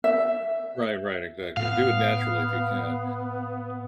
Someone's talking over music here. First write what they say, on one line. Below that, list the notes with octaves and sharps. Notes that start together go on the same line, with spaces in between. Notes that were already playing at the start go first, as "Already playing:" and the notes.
Right, right, exactly. Do it naturally if you can.
E5
A2 B3 F5